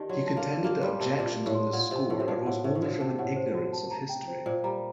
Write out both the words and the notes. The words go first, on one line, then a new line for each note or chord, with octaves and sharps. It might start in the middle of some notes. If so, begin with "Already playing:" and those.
He contended that objections on this score arose only from an ignorance of history.
Already playing: D#3 G4 D5 A5
F#3 C6
A5
A#3
D5
A#3 G4
G3 C6
C3 A5
A#2 D5
G4
A2
C6
A#2 F#5
C3 C5
A2 F#4
C3
A#2 A5
A2 F#5
A2 C5
A2
A#2 F#4
C3 A5
A2 F#5
C5
F#4
A5
A#5
G5
C5
A#2 C5
G3 A#5